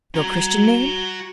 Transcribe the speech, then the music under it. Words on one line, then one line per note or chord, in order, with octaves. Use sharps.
"Your Christian name?"
F#4 A#5